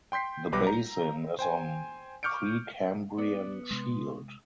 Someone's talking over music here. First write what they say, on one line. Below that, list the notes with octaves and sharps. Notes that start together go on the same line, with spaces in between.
The basin is on Precambrian shield.
G5 C6 G6 B6 C7
B1 G3 B4 D6 A#6
A#5
C5 G5 G#5
C#6 D6 F6 G6 C#7 D7
B3 D5
C3 G#3 C6